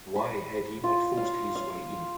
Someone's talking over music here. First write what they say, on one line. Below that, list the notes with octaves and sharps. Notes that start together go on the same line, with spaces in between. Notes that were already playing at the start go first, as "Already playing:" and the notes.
Why had he not forced his way in?
B5
F4
F5
F5